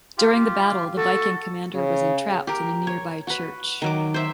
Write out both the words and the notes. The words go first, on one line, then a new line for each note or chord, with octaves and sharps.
During the battle the Viking commander was entrapped in a nearby church.
F4 G4
F#4 A4
C#3
G4 A#4
C#5
F#4 B4
D#3 F#3 D6
C5 E5